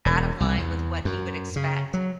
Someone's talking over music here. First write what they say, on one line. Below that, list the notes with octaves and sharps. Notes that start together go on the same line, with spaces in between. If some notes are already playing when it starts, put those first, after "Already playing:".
out of line with what he would expect.
E1
C2
E2
F#2
C#3
F#3